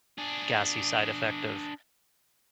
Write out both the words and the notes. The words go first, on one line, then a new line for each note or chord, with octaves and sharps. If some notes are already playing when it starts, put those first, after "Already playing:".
gassy side effect of
D4 G#4